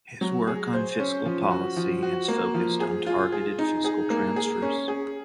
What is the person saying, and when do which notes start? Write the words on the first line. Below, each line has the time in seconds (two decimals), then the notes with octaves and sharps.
His work on fiscal policy has focused on targeted fiscal transfers.
0.21 F#3
0.47 G#4
0.73 C5
0.99 C#4
1.25 F3
1.51 F#4
1.76 F3
2.03 F#4
2.28 A#3
2.54 F3
2.80 G#4
3.06 F4
3.32 G#4
3.59 D#4
3.85 G#4
4.10 A#3
4.36 G#4
4.62 C#4
4.88 G#4